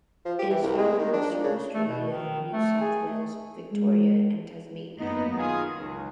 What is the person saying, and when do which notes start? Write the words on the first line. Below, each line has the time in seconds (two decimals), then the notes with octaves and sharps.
It is found in Western Australia, New South Wales, Victoria and Tasmania.
0.25 F3
0.39 G4
0.50 E3
0.63 C2
0.78 G#3
0.99 D#3
1.13 D4
1.31 A#2
1.44 C#3
1.74 A3
1.88 B2
2.08 D#3
2.53 A3
2.81 G#4
3.08 A3
3.71 G#3
4.98 F#2 A#3 B3 D#4
5.36 D#3 F4 G#4
5.76 C#2